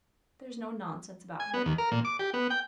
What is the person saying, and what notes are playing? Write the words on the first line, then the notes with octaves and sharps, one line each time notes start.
"There is no nonsense about her."
G#5
B3
D#2
A#4
A#2
D6
G4
B3
G5